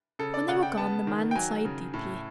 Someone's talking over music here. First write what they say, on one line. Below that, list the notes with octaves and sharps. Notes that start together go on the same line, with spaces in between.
When they were gone, the man sighed deeply.
C#3 A4
D5
C#3 F#5
G5
B3 A5
D#3
G5
F#3 G#5
C#3
A2